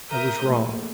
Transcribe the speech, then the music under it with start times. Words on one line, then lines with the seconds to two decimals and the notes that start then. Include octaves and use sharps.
I was wrong.
0.11 A#4 E5 A#5 D#6 G6
0.45 A#1 A#2 A3